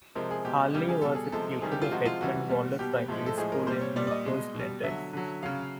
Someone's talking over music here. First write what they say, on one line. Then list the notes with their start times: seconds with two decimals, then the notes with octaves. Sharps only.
Harley was a pupil of Edmund Waller Primary School in New Cross, London.
0.15 C3 F3 G#3 A#4
0.31 G#4
0.45 B2 G#3 G4
0.74 C#3 E3 G3 G4
0.89 G#4
1.02 B2 G3 A4
1.15 G#4
1.32 C3 F3 G#3 A4
1.62 C3 D#3 G3 G#4
1.72 G4
1.82 F4
1.91 C3 F3 G#3 F#4
2.06 F4
2.21 C3 E3 G3 F#4
2.49 A#2 G3
2.79 B2 G3 G4
3.08 A2 F3 G#3
3.26 A4
3.37 A2 F3 G#3 G#4
3.52 A#4
3.67 A#2 G3 C5
3.81 C#5
3.96 A#2 G3 D5
4.07 D5
4.11 D#5
4.25 B2 G#3
4.55 B2 G3
4.84 D3 F#3 E5
5.13 D3 F#3
5.43 C#3 F#3 F5